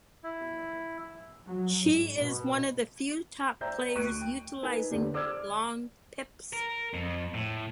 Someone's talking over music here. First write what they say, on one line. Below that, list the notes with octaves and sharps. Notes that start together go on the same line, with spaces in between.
She is one of the few top players utilizing long pips.
E4
F#3
G#2
B2
C5 D5 E5 G5 A#5 G6
D2 C#6 F#6 D7 D#7
G5
D#4 A#4 B4 G#5
D#2 D3 B3 D4 G4 D5
C5 D5 D6 E6 F6 G#6
A#4
F2
A2